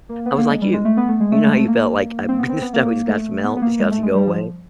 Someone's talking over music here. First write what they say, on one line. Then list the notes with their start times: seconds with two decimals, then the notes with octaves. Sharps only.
I was like you. You know how you felt like, "I've been to snow. It's got to melt. It's got to go away."
0.09 A#3
0.26 B3
0.38 A#3
0.50 G#3
0.62 G3
0.73 G#3
0.85 A3
0.97 B3
1.08 A3
1.20 G#3
1.32 A3
1.46 G#3
1.56 A3
1.68 A#3
2.29 C4
2.38 B3
2.49 C4
2.62 B3
2.73 A#3
3.09 A3
3.44 B3
3.56 B3
3.62 A#3
3.79 G#3
3.91 A3
4.03 G#3
4.15 G3
4.27 F3